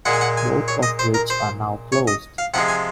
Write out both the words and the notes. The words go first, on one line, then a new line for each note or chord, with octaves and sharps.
Both of which are now closed.
A#2 G#3 F#5
G#5
F#5
G#5
C#5
D#5
C5
A#4
C5
C#5
D#5
F5
C3 F3 G#3 F#5
G#5